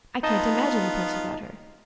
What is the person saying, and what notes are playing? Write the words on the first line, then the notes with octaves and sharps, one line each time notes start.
I can't imagine the place without her.
B3 D#4 F4 D#5 A5